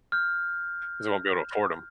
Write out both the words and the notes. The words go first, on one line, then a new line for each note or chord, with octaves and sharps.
'cause they won't be able to afford 'em.
F6 G6